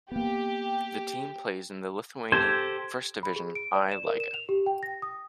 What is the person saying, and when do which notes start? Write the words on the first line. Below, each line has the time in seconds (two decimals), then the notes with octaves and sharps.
The team plays in the Lithuanian first division I Lyga.
0.11 A#3 B3 G4
2.32 G4 A4 C5 G#6
3.23 B5
3.36 G#4
3.55 D7
3.75 D5
3.92 E7
4.07 A#4
4.20 E7
4.34 F7
4.49 G4
4.66 G5
4.83 A#6
5.02 D#6